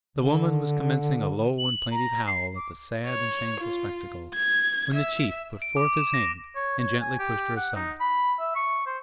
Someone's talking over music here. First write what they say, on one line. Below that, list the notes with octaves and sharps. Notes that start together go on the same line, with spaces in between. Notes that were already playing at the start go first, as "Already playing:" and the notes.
The woman was commencing a low and plaintive howl at the sad and shameful spectacle, when the chief put forth his hand and gently pushed her aside.
D3
F#7
A#5
C7
D6
C#5
F4
G#6
E5
D7
D6
E7
A#6
C#5
C#5
G#5
G4
F#5
D#4
B5
E5
C#6
C5